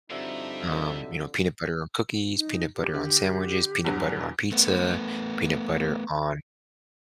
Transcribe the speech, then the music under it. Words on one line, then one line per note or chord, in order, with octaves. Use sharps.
Um, you know, peanut butter on cookies, peanut butter on sandwiches, peanut butter on pizza, peanut butter on
G2 D3 F3 C4 D#4 F#4 G4 E5
D#4
G4
D3
E2 G2 F#3
A3 B3